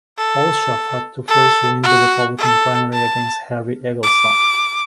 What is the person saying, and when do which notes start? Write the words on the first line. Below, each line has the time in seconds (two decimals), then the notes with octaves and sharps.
Hulshof had to first win the Republican primary against Harry Eggleston.
0.18 A4
1.28 A4
1.83 F#4
2.38 A4
2.93 A5
4.02 D6